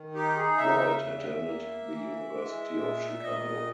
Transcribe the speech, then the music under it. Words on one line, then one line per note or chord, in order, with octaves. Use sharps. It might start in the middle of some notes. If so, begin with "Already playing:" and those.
White attended the University of Chicago.
Already playing: D#3
D#4 G4
G#4
C#3 E5
E2
A#3
E3
G#3
A#2
A#2 D#5